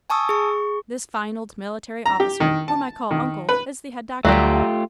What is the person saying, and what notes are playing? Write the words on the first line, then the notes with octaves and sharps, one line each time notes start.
This fine old military officer whom I call uncle is the head doctor.
G#5 A5 C#6 D#6 E6
G#4 C#6
A#5
G4
D#3
A5
D#3
B4
D2 F#3 G3 A3 F4 G4